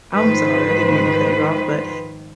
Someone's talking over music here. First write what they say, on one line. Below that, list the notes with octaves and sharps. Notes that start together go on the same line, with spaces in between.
I'm sorry, I didn't mean to cut you off, but
G#2 D#3 F3 B4 C5